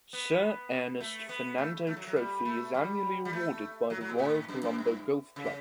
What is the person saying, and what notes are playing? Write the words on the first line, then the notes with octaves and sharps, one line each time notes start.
Sir Ernest Fernando Trophy is annually awarded by the Royal Colombo Golf Club.
B3
A3
B3
A3
A3
F#3
F#3
G3
A3
G3
G3
A3
F#3
F#3
B2
A2
F#2
F#2
G2
C#3